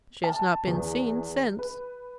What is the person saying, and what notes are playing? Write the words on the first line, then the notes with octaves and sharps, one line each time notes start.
She has not been seen since.
A5
E2
B4